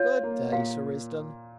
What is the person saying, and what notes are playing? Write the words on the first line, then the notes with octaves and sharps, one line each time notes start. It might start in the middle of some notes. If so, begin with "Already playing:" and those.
Good day, Sir Risdon.
Already playing: F4 C#5
A#3
A#2 F5